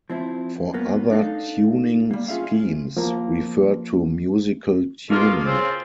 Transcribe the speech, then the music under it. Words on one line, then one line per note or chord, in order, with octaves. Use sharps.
For other tuning schemes refer to musical tuning.
F3 C4 E4
F#2 F#3 A#3 B3
D4 D#4 A4 F5
G3 A#3
C#4 F4 G#4 E5 F5
F3 A#3
B2 A3 A#3 F4
C#3 C4 F4